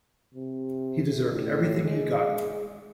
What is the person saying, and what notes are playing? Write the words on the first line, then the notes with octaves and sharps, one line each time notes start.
He deserved everything he got!
C3
A2
G#3